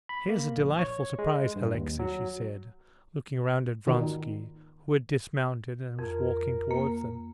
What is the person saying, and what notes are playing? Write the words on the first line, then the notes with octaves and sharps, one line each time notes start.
"Here's a delightful surprise, Alexey!" she said, looking round at Vronsky, who had dismounted, and was walking towards them.
B5
A#3
A#1
C#5
G#3
G2
D#2
F#3
D#3
F2 A#4
A#3